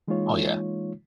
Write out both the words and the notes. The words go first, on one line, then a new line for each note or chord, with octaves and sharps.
Oh yeah.
E3 G#3 A#3 D#4 F4 C#5